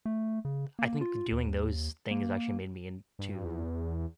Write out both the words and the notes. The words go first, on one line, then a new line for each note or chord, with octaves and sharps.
I think doing those things actually made me into
A3
C#3
A#3
F4
D#2
A#3
G2
E2